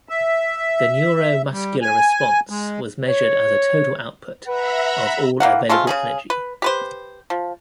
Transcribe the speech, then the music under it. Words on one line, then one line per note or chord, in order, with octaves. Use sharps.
The neuromuscular response was measured as a total output of all available energy.
E5
G3
G#5
G#3
C#5
B4 E5 F#5 A#5 B5
E3 A#3 F5 F#5
G#3 A3 C4 F4
C#3 F3 G#4
B4
G4 B4 C5
F3